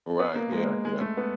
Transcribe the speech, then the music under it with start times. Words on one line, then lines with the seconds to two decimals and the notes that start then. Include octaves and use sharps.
Right, yeah, yeah.
0.20 B3
0.35 A#3
0.52 G#3
0.85 G#3
1.01 A3
1.17 B3